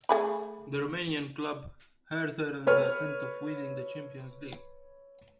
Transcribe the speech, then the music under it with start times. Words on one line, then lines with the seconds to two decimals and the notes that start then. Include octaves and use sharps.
The Romanian club hired her in the attempt of winning the Champions League.
0.09 A3 G#4 B5
2.66 A4 B4 C#5 F6